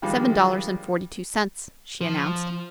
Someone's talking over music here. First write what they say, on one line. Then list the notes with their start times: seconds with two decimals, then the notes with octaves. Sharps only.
"Seven dollars and forty-two cents," she announced.
0.02 D#3 F3 G3 G#3 D4 F4
2.01 F3